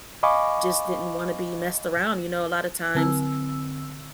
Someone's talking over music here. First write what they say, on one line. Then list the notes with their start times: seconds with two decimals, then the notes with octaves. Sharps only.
just didn't wanna be messed around, you know? A lotta times
0.23 D#5 F5 G#5 B5 C#6 D6
2.95 D3 C4 E6